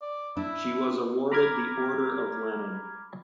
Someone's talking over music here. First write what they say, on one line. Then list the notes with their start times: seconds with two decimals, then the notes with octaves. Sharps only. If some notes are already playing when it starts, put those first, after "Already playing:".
She was awarded the Order of Lenin.
0.02 D5
0.37 D4 E4
1.32 A#5 B5 D6 F6 G#6